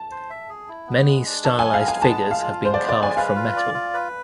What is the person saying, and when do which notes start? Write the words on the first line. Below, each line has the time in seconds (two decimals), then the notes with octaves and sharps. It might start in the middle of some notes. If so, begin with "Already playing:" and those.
Many stylized figures have been carved from metal.
Already playing: A5
0.11 C5
0.30 E5
0.49 G#4
0.68 E4
0.87 B3
1.07 G#3
1.26 D4
1.44 A4 A5
1.59 G#5
1.64 B3
1.74 F5
1.82 G#3
1.88 G#5
2.02 B3 A5
2.21 G#3
2.31 F5
2.41 F4
2.60 G#3 C5
2.74 D5
2.79 B3
2.89 D5
2.98 G#3 G#5
3.17 B4 F5
3.36 F4
3.56 D5
3.74 F4
3.94 B4